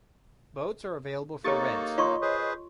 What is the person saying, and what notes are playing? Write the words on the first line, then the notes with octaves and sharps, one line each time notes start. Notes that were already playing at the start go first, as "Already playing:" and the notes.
Boats are available for rent.
A#3 D#4 G4 A4 C#5 C#6 A6
F4 C#5 D#5 C6 C#6
G#4 B4 C5